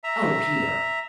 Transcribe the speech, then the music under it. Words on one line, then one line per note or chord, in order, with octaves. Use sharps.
"Oh, Peter!"
E5 A#5